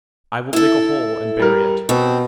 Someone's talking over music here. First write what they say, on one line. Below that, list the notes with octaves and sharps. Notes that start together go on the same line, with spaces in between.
I will dig a hole and bury it.
E4 A4
G3 A#4
B2 C4